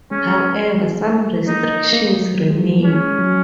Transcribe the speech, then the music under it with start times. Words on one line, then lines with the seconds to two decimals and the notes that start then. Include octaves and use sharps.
However, some restrictions remain.
0.11 G#3 C#4
0.74 F#3
0.80 G#3
1.43 G#3
1.47 A#3 D#4
1.93 A#3
2.04 G#3
2.16 F#3
2.50 G#3
2.58 F#3
2.72 F#3
2.80 A#3
2.85 G#3 C#4
3.19 F#3